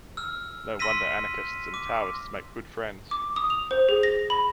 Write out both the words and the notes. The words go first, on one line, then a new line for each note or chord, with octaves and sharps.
No wonder anarchists and Taoists make good friends.
E6 F6
C6 E6 A#6 B6 D#7
D6
D6
D#6
F7
C5
G#4
A#6
B5